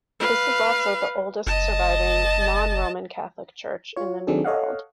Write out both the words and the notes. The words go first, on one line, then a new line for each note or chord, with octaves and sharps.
This is also the oldest surviving non-Roman Catholic church in the New World.
B4 F5
F#1 D#5 A5
F4 C#5
D#3 F#3 C4 D4 G#4 A4
A4 C#5 D#5 F5 F#5